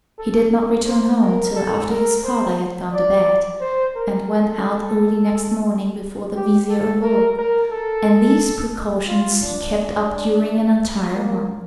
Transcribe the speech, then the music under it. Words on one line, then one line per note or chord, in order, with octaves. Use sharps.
He did not return home till after his father had gone to bed, and went out early next morning before the vizir awoke, and these precautions he kept up during an entire month.
A4
A#4
C5
A#4
A4
A#4
C5
D5
C5
A#4
A4
G4
A4
A#4
A#4
A4
F4
D4
A#3